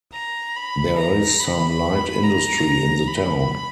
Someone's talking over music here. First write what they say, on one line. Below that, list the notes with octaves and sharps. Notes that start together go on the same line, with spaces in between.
There is some light industry in the town.
A#5
B5
A#5
B5
A#5
B5